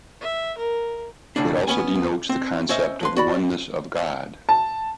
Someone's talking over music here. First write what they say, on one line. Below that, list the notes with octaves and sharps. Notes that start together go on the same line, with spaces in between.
It also denotes the concept of oneness of God.
E5
A#4
B1 A2 C#3 D4
B3 C#4 G#5
C4
C#4 C5 D#5 E5
F3 B4 C6
F#4 D5 B5
A5